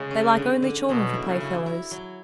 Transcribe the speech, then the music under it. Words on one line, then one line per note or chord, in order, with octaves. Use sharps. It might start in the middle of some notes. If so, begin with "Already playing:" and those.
They like only children for playfellows.
Already playing: C#3 G#3
C#4
D3
D3
B2 F#3
E4
C#3
E4
E4
F#3